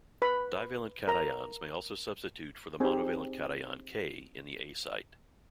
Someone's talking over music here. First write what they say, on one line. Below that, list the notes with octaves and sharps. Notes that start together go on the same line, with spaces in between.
Divalent cations may also substitute for the monovalent cation K in the A site.
B4 B5
A#4 A#5
C4 D#4 G4 G#4 G#5